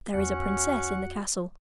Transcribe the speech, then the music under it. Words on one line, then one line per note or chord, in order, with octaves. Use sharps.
'There is a princess in the castle.
E2 B3 C#4 F#4 F#5